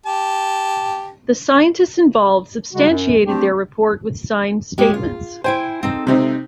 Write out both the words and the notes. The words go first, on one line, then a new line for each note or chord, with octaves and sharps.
The scientists involved substantiated the report with signed statements.
G4 A5
C#3 G3 G#3 F#4
F#2
A3 C4 D4 G4
G#3 C#4 G4
F4
E4 C5 G5 G#5
C4 D#4 A4
C3 G#3 A3 C4 D#4